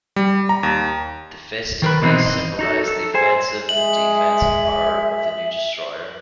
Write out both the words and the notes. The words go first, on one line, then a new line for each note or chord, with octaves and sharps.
The fist and mace symbolize the offensive and defensive power of the new destroyer.
G3
A#5
D#2
D#3 A#4 B4
B2 E3 G3 A#3 C4 D#4
D#5
D#4 F#4 A4
A4
G#4 C5 G#5
G#3 E5 F#7